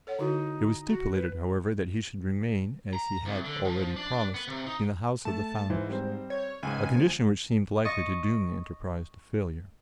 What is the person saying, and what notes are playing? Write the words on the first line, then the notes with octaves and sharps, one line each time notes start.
It was stipulated, however, that he should remain, as he had already promised, in the house of the founders, a condition which seemed likely to doom the enterprise to failure.
A4 C#5 F#5
D3 D#4 E4 F#4
F#4 A#5
B4
A#5
C2
D3
F3
D4
B3
C3
D#4
A3 A5
G#2 E3 F4 C5
G3 C4 C5
C#5
C#2 G#2 G#5
D2 F3
D#5 C#6 A6